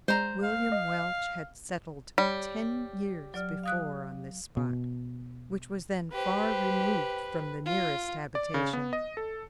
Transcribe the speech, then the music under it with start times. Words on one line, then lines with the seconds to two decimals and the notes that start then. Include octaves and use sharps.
William Welch had settled ten years before on this spot, which was then far removed from the nearest habitation.
0.08 G#3 C5 A#5
0.43 F5
0.72 D#5
2.18 G3 C#5
3.34 F#3 D5 F6
3.64 F5 D#6 F#6
4.57 B2
6.13 G4 B4 C5
7.65 F4
8.35 D5
8.54 C#3
8.73 B3
8.93 D#5
9.17 A4